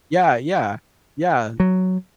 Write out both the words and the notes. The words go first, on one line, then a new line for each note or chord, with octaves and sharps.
yeah yeah yeah, e
F#3